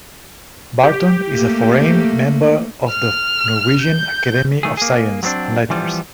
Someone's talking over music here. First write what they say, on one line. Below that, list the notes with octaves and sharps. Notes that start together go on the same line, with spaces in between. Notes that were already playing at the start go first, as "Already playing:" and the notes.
Barton is a foreign member of the Norwegian Academy of Science and Letters.
G4
A3 A#3
F6
G6
D#3 A3 G#4
A#3 G#4
F#3 G3 B3 C4 D4
E3 F3 G3 B3